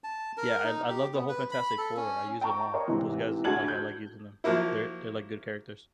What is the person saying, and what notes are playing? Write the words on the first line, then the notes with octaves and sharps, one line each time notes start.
Yeah, I I love the whole Fantastic Four, I use them all. Those guys like, I like using them. They're they're, like, good characters.
A5
A#4
D#4
G4
B3
B4
B5
A4
C#4
G5 A5 A#5 C#6
A#4 C#5 D#5 C6
G#2 C3 E3
D2 F#4 G#4 A5 G#6 F#7
G6
F3 F#3 A#3 E4